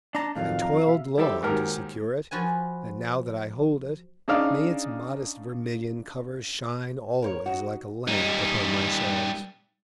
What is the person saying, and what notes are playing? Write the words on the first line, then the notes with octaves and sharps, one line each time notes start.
I toiled long to secure it, and, now that I hold it, may its modest vermilion cover shine always like a lamp upon my shelves!
D4 A5 A#5
F2 A2 D#3 F#3 F5
A#5
B2 E5
G3 E4 G4 A4 C5
D#2 G#2 F#3 G4 A#4 F6
F3 F#4 B4 G#5
C#3 D4 D#4 D5 F5
A#4 C5 C#5
D#4 F#4
G3 D#4